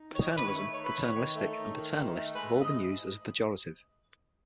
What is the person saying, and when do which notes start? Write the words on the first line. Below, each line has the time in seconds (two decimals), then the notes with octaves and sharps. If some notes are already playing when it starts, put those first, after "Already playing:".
Paternalism, paternalistic and paternalist have all been used as a pejorative.
Already playing: D#4
0.13 D#3 C#5
0.20 D#5
0.33 D#3 B4
0.47 C#5
0.54 A3
0.73 D#4 C#5
0.84 B4
0.94 D#3 C#5
1.14 D#3
1.33 A3
1.54 D#4
1.74 D#3
1.94 D#3
2.14 A3
2.34 G#3 B4
2.54 G#2
2.60 D#5